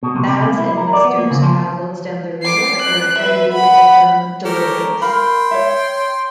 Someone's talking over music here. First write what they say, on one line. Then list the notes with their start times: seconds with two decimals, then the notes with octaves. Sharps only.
Babs and Buster's travels down the river are a parody of the film "Deliverance".
0.03 B2
0.16 C3
0.29 C3
0.45 A#3
0.58 E4
0.77 A#4
0.93 D5
1.05 B3
1.18 A#3
1.31 C#3
1.42 F3
2.43 D6 C7
2.82 F#6
3.19 B4 E5
3.53 F#5 B5
4.45 G4 A4 A#4 C#5
5.02 A#4 F5 G5 B5 C6
5.51 C#5 E5